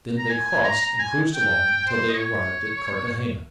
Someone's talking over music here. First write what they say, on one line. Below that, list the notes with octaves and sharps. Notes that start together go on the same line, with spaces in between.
Then they crossed and cruised along until they arrived at Carthagena.
A#5
G#5
G#5
A#5
A#5
G#5
G5
C5
D#5
C#5